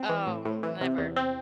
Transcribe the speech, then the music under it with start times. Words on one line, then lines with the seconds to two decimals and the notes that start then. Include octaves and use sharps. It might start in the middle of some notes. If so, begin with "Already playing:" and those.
Oh, never.
Already playing: C4
0.09 E3
0.27 A2
0.45 A2
0.63 E3
0.81 C3
0.98 E2
1.16 C4